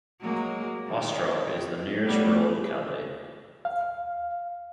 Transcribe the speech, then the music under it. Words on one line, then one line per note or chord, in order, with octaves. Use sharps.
Ostrog is the nearest rural locality.
F#3 G#3 A#3
D#3
G3 A3 B3
F5